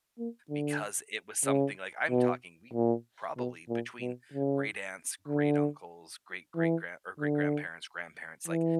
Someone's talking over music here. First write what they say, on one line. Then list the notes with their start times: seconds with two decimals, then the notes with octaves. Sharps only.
because it was something, like, I'm talking, we probably, between great-aunts, great-uncles, great-great-grand or great-grandparents, grandparents, like,
0.19 A#3
0.50 D3
1.46 C#3
2.10 B2
2.74 A#2
3.38 B2
3.69 A#2
4.01 B2
4.33 C#3
5.28 D3
6.56 E3
7.20 D3
8.48 E3